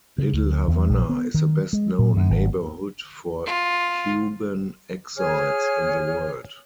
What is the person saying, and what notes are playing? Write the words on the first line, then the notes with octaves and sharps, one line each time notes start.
Little Havana is the best known neighborhood for Cuban exiles in the world.
C#3
D2
E2
A#1
B3
D#3
G#3
A#2
F#2
G#1
F4
G#4 C#5 G#5 F6